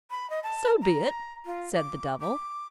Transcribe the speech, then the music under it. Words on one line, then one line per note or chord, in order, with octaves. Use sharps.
"So be it," said the devil.
B5
D#5
A5
A#5
F4
D6
D6